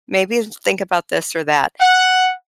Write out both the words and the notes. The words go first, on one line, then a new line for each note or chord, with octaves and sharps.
maybe think about this or that."
F#5